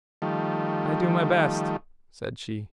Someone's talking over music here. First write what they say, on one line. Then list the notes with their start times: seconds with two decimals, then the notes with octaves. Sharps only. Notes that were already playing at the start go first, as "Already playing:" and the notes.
"I do my best," said she.
0.22 D#3 F3 G3 A3